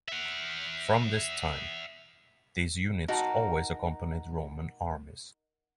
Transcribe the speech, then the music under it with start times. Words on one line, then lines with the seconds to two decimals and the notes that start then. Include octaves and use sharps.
From this time, these units always accompanied Roman armies.
0.08 E5 F#5
3.08 D#4 F#4 A#4 A5